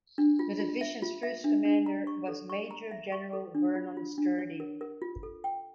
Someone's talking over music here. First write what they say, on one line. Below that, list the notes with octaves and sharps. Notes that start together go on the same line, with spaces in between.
The division's first commander was Major General Vernon Sturdee.
D4
F4
F4
E5
F4
E5
D4
D4
A#5
C#6
A4
C#6
A#5
E5
C#6
A4
D4
F4
F4
D4
C#5
A#4
A#4
F4
A4
G5